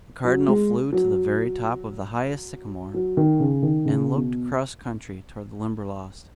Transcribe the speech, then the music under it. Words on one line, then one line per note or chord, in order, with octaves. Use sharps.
The Cardinal flew to the very top of the highest sycamore and looked across country toward the Limberlost.
F#3
G#3
F#3
F#3
D#3
C#3
D#3
C#3
B2